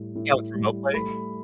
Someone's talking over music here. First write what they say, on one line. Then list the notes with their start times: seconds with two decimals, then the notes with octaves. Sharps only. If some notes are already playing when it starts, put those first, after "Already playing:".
Yeah, with Remote Play?
Already playing: A2 G3
0.15 A2
0.54 G3
0.93 A3 B5